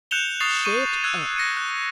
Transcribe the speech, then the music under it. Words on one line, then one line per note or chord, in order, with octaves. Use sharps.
"Shet up!"
F#6 G6 C#7 E7 F7 G7
C#6 D#6 A6 C7 F7
C#6 D#7
E6 F#6 G#6
A#6 C#7 D#7
F#6